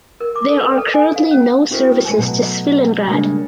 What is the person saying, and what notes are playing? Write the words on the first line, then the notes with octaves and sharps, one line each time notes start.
There are currently no services to Svilengrad.
A#4
D6
A4
B4
A4
G#5
F5
C#4
C4 E4 F#4 G#4 A#4 C5
G#3 B4 G#5 A5
B2 F#3 A3
C#3 G3 G#3 A#3 C4 D4